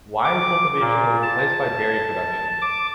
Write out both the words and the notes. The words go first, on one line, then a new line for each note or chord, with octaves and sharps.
Wine cultivation was replaced by dairy production.
D6
A#2
A5
D6